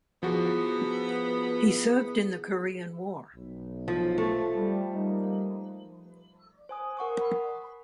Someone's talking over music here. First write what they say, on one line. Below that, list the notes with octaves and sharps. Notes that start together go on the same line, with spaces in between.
He served in the Korean War.
F3 B3 E4 F#4 G#4
B1
F3
A3
G3
G3 A#3 D#4
C5 G#5 D#6
A#4 F#5 C#6 D#6
B5